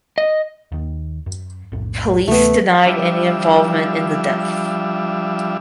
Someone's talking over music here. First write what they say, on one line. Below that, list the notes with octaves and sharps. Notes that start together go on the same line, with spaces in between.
Police denied any involvement in the death.
D#5
D#2 D#3
F#2
B1 F2 A2
D2 C3 E3 A3 B3
F3 G3 D4 E5